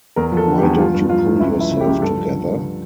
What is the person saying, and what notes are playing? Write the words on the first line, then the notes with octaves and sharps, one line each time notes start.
Why don't you pull yourself together?
E2 A#4
F3
A4
D3
G4
E2
F3 F4
G2
F3 F4
G2
C#2 E4
F3
E4
C#3
G4
C#2
G2 A4
F3
D3
G2